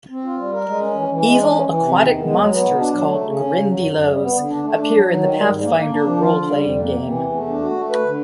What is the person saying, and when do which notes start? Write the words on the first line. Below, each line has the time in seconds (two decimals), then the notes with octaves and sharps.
Evil aquatic monsters called grindylows appear in the Pathfinder Roleplaying Game.
0.10 C4
0.24 F4
0.38 G3
0.52 A#4
0.66 G#3
0.81 C#4
0.95 E3
1.08 E3
1.23 G#3
1.37 C#4
1.52 E3
1.66 E3
1.80 C3
1.94 D#3
2.08 E2
2.23 G#3
2.37 F#3
2.51 B3
2.65 B2
2.79 D4
2.93 F#3
3.07 A3
3.22 C#3
3.36 C#4
3.50 C#3
3.65 F#3
3.79 F#2
3.93 F#2
4.07 G3
4.21 B3
4.35 D3
4.50 D4
4.63 A3
4.77 D4
4.92 F#3
5.06 F#3
5.20 D#3
5.34 G3
5.49 G#2
5.63 A#3
5.76 A#3
5.91 D4
6.05 F3
6.20 F4
6.33 D3
6.48 G3
6.62 F2
6.77 A#3
6.90 C3
7.04 E3
7.19 E2
7.33 A3
7.47 D4
7.61 F#4
7.75 A3
7.90 B4
8.04 D3